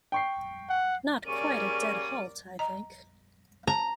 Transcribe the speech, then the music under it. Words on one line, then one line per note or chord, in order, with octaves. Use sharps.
Not quite a dead halt, I think.
G5 C#6 C7
F#5
G3 A#3 C#4 G#4 A#4 D5 C#6 D#7
D#5 A#5
A5 A#5